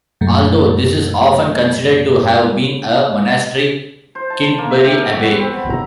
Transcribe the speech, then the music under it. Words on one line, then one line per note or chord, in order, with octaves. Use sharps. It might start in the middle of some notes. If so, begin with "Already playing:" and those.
Although this is often considered to have been a monastery, Kintbury Abbey.
F#2 A#2 A3
C5
A5
A5
A#3
E5
G4
B2
F#4
B4
C4
B5
A#5